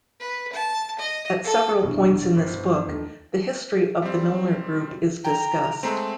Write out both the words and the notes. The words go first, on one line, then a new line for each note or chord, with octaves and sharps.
At several points in this book, the history of the Milner group is discussed.
B4
A5
D#5
A4
F1 D#2 B2 E3 F#3 C4 D4
A1 G2 C5
D#2 D#3 F3 A3 D4
G3 C4
G5 A#5
G#3 A3 C4